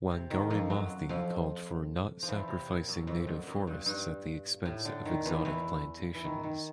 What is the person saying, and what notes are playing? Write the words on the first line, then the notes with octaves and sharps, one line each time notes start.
Wangari Maathai called for "not sacrificing native forests at the expense of exotic plantations".
C3
D#3
F2 F3
F#2 F#3
F2 F3
F3
E2 E3
C3
A#2
F#2
F2
F#2
F#2
G2
G2
A2
D3
D#3
E2 E3
E2 E3
E3
D#3
D#3